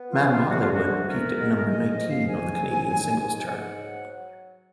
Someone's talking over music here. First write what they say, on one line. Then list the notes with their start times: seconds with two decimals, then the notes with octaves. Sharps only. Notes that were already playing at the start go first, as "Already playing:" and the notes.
"Madame Hollywood" peaked at number nineteen on the Canadian Singles Chart.
Already playing: B3
0.09 F4
0.19 G#3
0.29 F4
0.49 D3 F#4
0.60 F4
0.72 F#4
0.79 D2
1.08 B3 A#4
1.39 G#3
1.67 D#3 D#5
1.87 D#5
1.97 G#2
2.08 F5
2.27 G#2 G#5
2.58 F#3
2.87 D#3
3.16 G#2
3.45 G#2 F#5
3.76 F#3